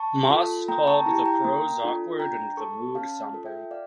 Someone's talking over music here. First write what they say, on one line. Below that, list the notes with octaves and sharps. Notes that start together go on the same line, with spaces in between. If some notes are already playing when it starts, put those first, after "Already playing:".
Moss called the prose awkward and the mood sombre.
Already playing: A5 C#6
F4 A4
A#3 G5 A#5
A5 C#6
E4 G4 G5 A#5
G5 A#5
A#3
D4 F4 A4
D4 G5 A#5
A4 A5 C#6
C#4 F5 A5
F4 A4
E5 G5
D5 F5